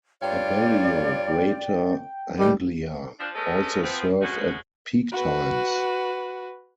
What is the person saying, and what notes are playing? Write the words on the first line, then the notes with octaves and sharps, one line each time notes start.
Abellio Greater Anglia also serve at peak times.
G2 F4 C#5 D5 G5
D2 D#3 G3
F3 D4
G#3 A3 B3 C#4 A4 A#4
F3 B3 C4
B2 G#3 A3 C#4 F#4
F#4 B4